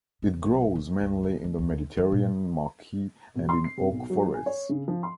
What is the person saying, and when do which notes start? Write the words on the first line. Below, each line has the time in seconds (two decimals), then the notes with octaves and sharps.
It grows mainly in the Mediterranean maquis and in oak forests.
0.22 C#3
0.46 B1
0.75 F2
1.00 C#2
1.23 D2
1.44 A3
1.58 D2
1.97 E3
2.12 A#2
3.35 B2
3.49 C6
3.64 C7
3.77 C3
3.91 B1
4.10 F#3
4.34 G#5
4.46 C#5
4.69 C#3
4.88 F3
5.03 C6